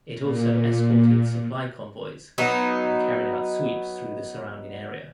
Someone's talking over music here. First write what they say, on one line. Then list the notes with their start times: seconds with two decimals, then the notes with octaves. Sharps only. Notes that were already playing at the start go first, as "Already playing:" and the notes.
It also escorted supply convoys and carried out sweeps through the surrounding area.
0.21 A#2
2.38 F#3 B3 D#4